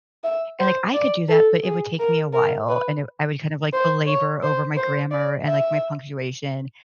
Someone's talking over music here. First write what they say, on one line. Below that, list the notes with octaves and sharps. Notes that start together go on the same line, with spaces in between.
and like I could do that, but it would take me a while, and it I would kind of, like, belabor over my grammar, and, like, my punctuation.
E5
C5
D5
A4
G#4
A#4
A#4
B4
C5
C#5
C5
C5
D5
E5